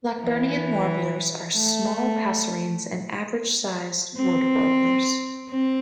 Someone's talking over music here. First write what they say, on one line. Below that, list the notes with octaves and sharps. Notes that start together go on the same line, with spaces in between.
Blackburnian warblers are small passerines and average-sized wood-warblers.
E3
A3
C4
C4